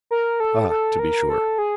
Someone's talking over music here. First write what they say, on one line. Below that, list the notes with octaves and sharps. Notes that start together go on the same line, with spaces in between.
Ah, to be sure!
A#4
A4
A4
A#4
A4
G#4